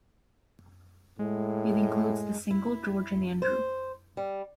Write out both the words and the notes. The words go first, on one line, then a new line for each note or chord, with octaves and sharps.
It includes the single "George and Andrew".
A2 G#3
E4
C5
G3